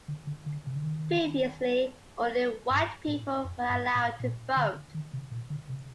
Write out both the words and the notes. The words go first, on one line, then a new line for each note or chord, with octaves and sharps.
Previously, only white people were allowed to vote.
D3
D3
D3
C3
D3
D#3
G2
A2
F2
G2
A2
A#2
D3
D#3
C3
A#2
D3
C3